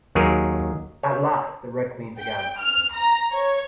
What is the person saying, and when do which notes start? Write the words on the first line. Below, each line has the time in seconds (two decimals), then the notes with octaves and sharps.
At last the Red Queen began.
0.15 D#2 D#3 F#3 G#4 A#4
1.03 C#5
2.18 G5
2.58 F6
2.95 A#5
3.33 C#5